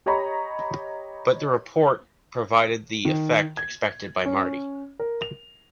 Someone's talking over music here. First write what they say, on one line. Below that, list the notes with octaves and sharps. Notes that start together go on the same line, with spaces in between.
But the report provided the effect expected from Marty.
G4 C#5 D#5 A#5 B5 C#6
D#3
G#6
C#4
A#4
F7